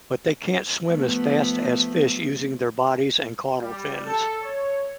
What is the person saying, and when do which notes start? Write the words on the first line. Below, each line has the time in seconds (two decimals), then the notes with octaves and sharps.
But they can't swim as fast as fish using their bodies and caudal fins.
0.88 F3 A3 B3
3.63 G3
4.04 A4
4.42 C#5